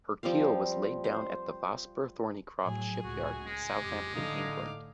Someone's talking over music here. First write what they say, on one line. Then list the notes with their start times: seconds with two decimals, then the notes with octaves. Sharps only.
Her keel was laid down at the Vosper Thornycroft shipyard in Southampton, England.
0.23 F3 G3 C4 F5
1.04 C5
2.62 A2 F#3 G#4 G#5
3.03 C#2 A2 F#4
3.47 G#3
3.82 F2 G4
4.14 A2 D3 D#4 F5 D6